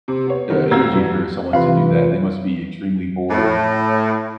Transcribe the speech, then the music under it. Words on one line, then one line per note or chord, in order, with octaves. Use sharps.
uh, energy for someone to do that. They must be extremely bored or
C3
B3 C#5
C3 D#3 B3
F1 F#4 F5 A#5 E6 G#6
G2 E3 F#3
C3 E3 F4 B4 F5
A2